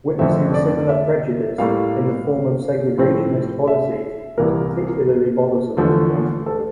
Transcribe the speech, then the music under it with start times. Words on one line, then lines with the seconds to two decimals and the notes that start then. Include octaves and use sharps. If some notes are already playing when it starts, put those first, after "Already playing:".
Witnessing similar prejudice in the form of segregationist policies was particularly bothersome to Rosenberg.
0.19 F2 D3 A3 C4 E5
0.54 D5
0.89 E5
1.58 A2 G3 A#3 F5
2.98 A2 F3 C4
3.68 E5
4.38 C2 C3 E3 A#3 A#4
5.77 E2 D3 F3 A3
6.46 A4